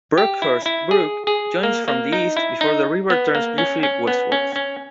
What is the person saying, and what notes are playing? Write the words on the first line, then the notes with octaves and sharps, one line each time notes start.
Brockhurst Brook joins from the east before the river turns briefly westwards.
G4
E4
E4
G#4
G#4
A#3
A#3
D#4
E4
D#4
B3
A#3
C#4
C#4
B3
C#4
C#4